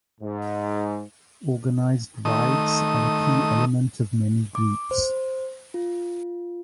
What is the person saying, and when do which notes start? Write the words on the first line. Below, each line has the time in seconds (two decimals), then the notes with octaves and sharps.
Organized rides are a key element of many groups.
0.21 G#2
2.25 D#3 A3 D#6
4.55 D6
4.91 C5
5.74 F4